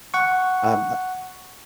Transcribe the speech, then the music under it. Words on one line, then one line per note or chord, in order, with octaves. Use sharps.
Um, uh
F#5 C#6